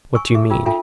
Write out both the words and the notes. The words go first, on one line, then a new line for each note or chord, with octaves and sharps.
What do you mean?
G#5 C#6 E6
G#4 E5
D#4 F4 G5 E6
D4 F4 A4 E5 G5 A5